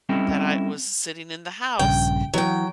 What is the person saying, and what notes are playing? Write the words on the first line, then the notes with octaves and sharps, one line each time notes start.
that I was sitting in the house,
G3 C4 C#4 E4 A4 D#5
A#1 G2 C#3 G5
E3 F#3 G5